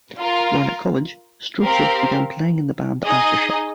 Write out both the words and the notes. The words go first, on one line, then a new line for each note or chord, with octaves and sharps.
While at college Stroetzel began playing in the band Aftershock.
F4 A#4 F5
C4 G4 A#4 F5
D#4 G#4 D#5